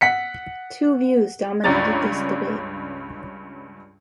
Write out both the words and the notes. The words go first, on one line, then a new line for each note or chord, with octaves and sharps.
Two views dominated this debate.
F#5 B6 C#7
C#2 G2 C#4 D5 A#5 A6